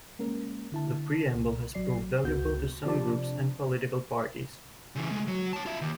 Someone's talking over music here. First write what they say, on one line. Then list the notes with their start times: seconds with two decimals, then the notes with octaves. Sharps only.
The preamble has proved valuable to some groups and political parties.
0.19 G#3 A#3 C#4 A#4
0.72 D3 E4 A5
1.34 C2
1.75 A1 F#3 D5 C7
2.23 G1 C#2 B3 F#4 G6
2.85 C3 F3 D4 D5 A5
4.96 C#3 E3
5.11 G#3 A3
5.27 F#3
5.53 C#5 A5
5.66 F4 E5
5.82 D#2